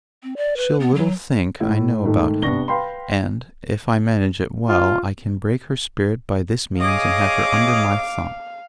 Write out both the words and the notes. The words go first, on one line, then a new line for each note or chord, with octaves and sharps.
'She'll little think I know about him; and, if I manage it well, I can break her spirit by this means and have her under my thumb.
C4
D5
B4
B3
F#3
A2 E4
G#2 D#3 A3
C3 B3 D4 C#6 A#6 G7
B4 F5 G5 B5 C6
F4
G#4 C#5 D#5 F5 D6